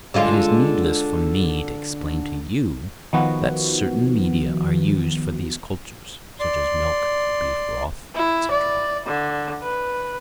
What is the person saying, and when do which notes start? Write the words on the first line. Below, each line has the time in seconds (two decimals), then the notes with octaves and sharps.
It is needless for me to explain to you that certain media are used for these cultures, such as milk, beef-broth, etc.
0.14 D3 G#3 F4
3.13 D#3 F3 B3 F#4
6.39 D5 C6
8.15 E4
8.51 D5
9.06 D3
9.62 B4